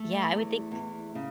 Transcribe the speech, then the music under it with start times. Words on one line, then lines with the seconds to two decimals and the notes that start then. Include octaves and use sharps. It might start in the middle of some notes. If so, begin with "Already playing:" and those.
Yeah, I would think
Already playing: A3 A4
0.29 E2
0.72 E2
1.15 C#3